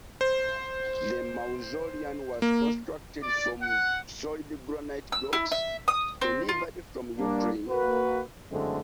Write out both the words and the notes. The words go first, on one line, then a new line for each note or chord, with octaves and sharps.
The mausoleum was constructed from solid granite blocks, delivered from the Ukraine.
C5
A#3
D5
F#5
E6
E4
E5
D#6
C4
F4
G3 A#3 D4
A#3 F#4 B4
F#2 D3 E3 G#3 A3 C4